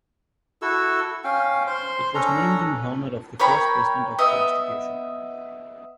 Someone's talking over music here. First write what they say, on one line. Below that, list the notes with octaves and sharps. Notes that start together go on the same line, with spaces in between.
It was named in honor of the first president of the institution.
E4 F#4 A4 E6
C#4 F5 G5
C5 C6
C#4 D4 A4 A#5
A#4 C#5 G5 B5
B3 D#5 E5